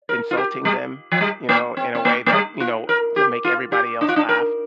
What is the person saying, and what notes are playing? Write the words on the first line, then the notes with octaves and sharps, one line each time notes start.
insulting them, you know, in a way that, you know to make everybody else laugh,
A#4
F4
G4
G3
F3
G3
A#3
C4
C4
A#3
A#3
G3
F4
A#4
G4
F4
G4
D4
F4
D4
A#4